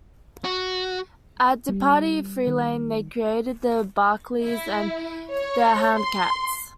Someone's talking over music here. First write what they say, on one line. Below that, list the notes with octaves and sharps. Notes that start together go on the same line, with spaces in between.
At Depatie-Freleng, they created "The Barkleys" and "The Houndcats".
F#4
G3
D#3
E4
C#5
C6